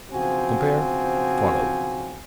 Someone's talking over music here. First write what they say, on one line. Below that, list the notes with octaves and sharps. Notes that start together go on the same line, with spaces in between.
Compare FOLLOW.
B1 C#3 F3 C4 F#4 G#5